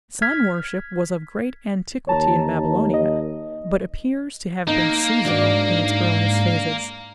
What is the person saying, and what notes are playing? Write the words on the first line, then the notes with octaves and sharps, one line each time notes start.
Sun worship was of great antiquity in Babylonia, but appears to have been seasonal in its earliest phases.
F6 G#6 B6
D#2 C#5 A5 A#5
D#5
A#3 D#4
G#2 D4 F#4 D5